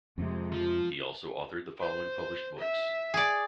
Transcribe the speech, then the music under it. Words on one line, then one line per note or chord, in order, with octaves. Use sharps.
He also authored the following published books.
F2 C3 G#3
F3
C5
E5
G#4 D5